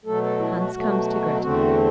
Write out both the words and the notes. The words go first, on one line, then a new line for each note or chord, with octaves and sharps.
Hans comes to Grettel.
B2 F#3 A3 A4
A4
E4
F#4
B2 F#3 A3
E2 D3 A3 C4 F#4